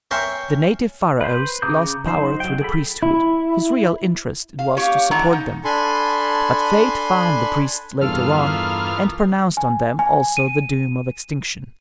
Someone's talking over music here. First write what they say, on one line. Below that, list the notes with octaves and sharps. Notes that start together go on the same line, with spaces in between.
The native pharaohs lost power through the priesthood, whose real interest it was to support them; but fate found the priests later on, and pronounced on them also the doom of extinction.
C#4 A#4 E5 G5 C6 C#6
B4 C5
C#3 A#5 D6 D#6 G6
F#3 D#4 C5
F#3 G5
G#4 A4 B5
E4
F5
A#3 C#4 G4 C#5 F5
D3 E3 G#3 D4 F#5 A#5
D#4
D4 A4 G#5 B5 C6
E2 G2 E3 A#3 B3 F4 A4 F6
G#5
G#5
D#7